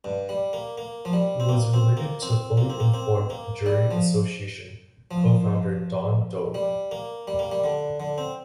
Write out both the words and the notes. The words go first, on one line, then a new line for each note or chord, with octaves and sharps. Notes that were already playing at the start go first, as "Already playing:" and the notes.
He was related to Fully Informed Jury Association co-founder, Don Doig.
G2
G3
A#3
A#3
F3
G3
C4
A#3
C4
A#3
C4
A#3
C4
A#3
C4
A#3
G3
F3
F3
G3
A#3
G3
A#3
G3
D3
D3
C4